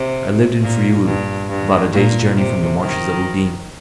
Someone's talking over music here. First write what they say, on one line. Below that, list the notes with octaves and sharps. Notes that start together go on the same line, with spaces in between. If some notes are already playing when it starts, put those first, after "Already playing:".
I lived in Friuli, about a day's journey from the Marshes of Udine.
Already playing: C3
A#2
G2
G2
A#2
C3
D#3